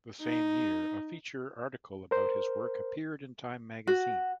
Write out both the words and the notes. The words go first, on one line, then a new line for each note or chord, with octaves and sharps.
The same year, a feature article about his work appeared in Time Magazine.
D#4
A#4 C5
F#4